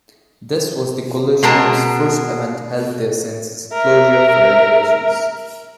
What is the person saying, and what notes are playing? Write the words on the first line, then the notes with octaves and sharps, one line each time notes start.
This was the coliseum's first event held there since its closure for renovations.
B2 G#3 A#4 A5
A#4 E5